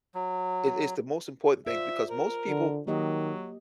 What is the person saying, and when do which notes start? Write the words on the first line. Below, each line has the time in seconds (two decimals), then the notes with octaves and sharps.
It it's the most important thing, because most people
0.14 F#3
1.66 F4 C5 D5 E5
2.10 A#4
2.48 D3
2.87 D#3 F#3 A#3 G4 D#5